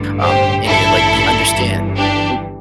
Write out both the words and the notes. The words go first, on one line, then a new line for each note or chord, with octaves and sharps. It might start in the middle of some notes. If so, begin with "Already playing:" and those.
um, and you, like you understand. O
Already playing: A1 G2 D3
G4 C5
A1 G2 D3 E4 A4
G1 G2 E3
D4 G4